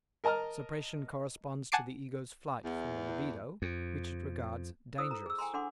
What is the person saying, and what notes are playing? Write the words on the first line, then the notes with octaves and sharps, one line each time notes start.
Suppression corresponds to the ego's flight from the libido, which it regards dangerous.
A#4 D#5 A5 A#5 F6
F#5 G#5 A5 D6 C7 D7
E2
F2
E4 C5 D#6 E6
A4 A#5
G#4 E6
G5 G#5 A#5 C6
D4 A4 F#5 C6 D6